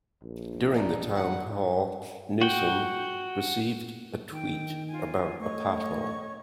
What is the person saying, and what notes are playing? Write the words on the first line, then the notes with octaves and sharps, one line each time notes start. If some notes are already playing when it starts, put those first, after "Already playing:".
During the town hall, Newsom received a tweet about a pothole.
A#1
D#3 D4 D#4
F#5
F#4 G5
D#3 G5
F4 G#5
A3 C#5 D#5 C#6